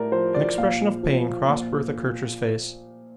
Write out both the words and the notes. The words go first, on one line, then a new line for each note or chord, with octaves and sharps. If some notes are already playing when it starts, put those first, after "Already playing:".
An expression of pain crossed Bertha Kircher's face.
Already playing: A2 A#4 D5
F3 C5
D5
A#2 F5
F3
A#2